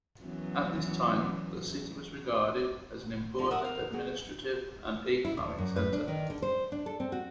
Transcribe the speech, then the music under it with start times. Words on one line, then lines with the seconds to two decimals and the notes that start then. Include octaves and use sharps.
At this time, the city was regarded as an important administrative and economic centre.
0.22 F#2 E3 B3
3.39 D3 F3 D#4
3.51 A#4 E5 F#5 D#6
3.65 F5
3.93 F#3 F#4 G#4
5.25 E4
5.37 D2
5.58 F#2
5.76 B4
5.93 D4
6.08 D#3
6.30 D3
6.42 C5
6.72 D4
6.86 A4
7.00 C4
7.12 F#4